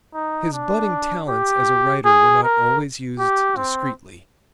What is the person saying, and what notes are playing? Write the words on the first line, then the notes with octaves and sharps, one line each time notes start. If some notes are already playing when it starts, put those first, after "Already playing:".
His budding talents as a writer were not always used discreetly.
D#4
D4
G4
G#4
A#4
G4
C4